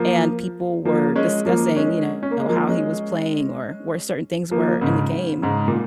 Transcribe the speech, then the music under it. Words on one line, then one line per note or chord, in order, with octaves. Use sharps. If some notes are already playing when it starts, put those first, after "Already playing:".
and people were discussing, you know, how he was playing or where certain things were in the game,
Already playing: F3 A#3
F3 A#3
G#3 C#4
F3 A#3
G#3 C#4
C#4
A#3
G#3
F3 A#3
G#3 C#4
F3 A#3
G#2 C#3
G#2 C#3
A#2